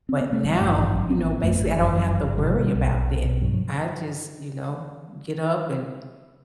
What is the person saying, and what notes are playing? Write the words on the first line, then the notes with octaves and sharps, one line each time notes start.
but now, you know, basically, I don't have to worry about that. I just, you know, get up and
C4
B3
A3
A1 G3
G2 A3
A1 E3
A1 F#3
A1 C4
B3
A1
F#2 A3
G1
F#2
F#2
G1
G1
F#3
B2 G3
B2
B1
B1
B1
B2
G2 F#3
F#3